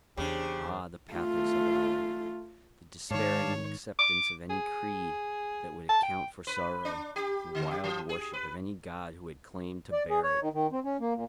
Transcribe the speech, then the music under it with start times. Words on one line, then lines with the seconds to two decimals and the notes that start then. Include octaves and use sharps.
Ah! the pathos of it all, the despairing acceptance of any creed that would account for sorrow, the wild worship of any God who had claimed to bear it!
0.17 E2 C#3 D4 G4 C5
1.13 A3 F4
3.11 G#2 D#3 C#5 D5 F5 A5
3.99 D6
4.50 G#4
5.89 A5
6.03 G5
6.47 B4
6.85 D4
7.16 G4
7.55 D3
7.71 G4
7.84 E3
8.09 G#4
8.33 B4
9.92 D5
10.10 G#4
10.23 C#5
10.41 D#3
10.53 D#3
10.72 C4
10.85 C#4
11.00 A#3
11.15 A#2